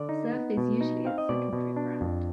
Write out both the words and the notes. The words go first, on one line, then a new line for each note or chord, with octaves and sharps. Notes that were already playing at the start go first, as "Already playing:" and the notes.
Surf is usually its secondary brand.
Already playing: D3 D5
D#4
B3
B2
D#4
C4 F5
D#5
B2 D5
B2
D4
F2